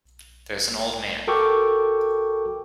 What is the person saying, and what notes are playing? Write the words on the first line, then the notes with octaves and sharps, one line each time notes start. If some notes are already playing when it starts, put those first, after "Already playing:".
There's an old man.
F#4 A4 A#4 G5 C#6 D6